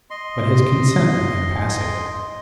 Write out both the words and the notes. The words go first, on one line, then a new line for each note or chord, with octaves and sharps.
But his consent remained passive.
D#5 C6